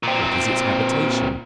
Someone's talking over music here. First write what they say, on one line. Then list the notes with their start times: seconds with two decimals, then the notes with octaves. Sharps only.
What is its habitation?
0.03 A#2 C4